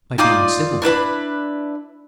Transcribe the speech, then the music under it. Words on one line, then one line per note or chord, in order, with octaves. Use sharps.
By being civil.
D#4 F4 D5 D#6
D4 E4 B4 B5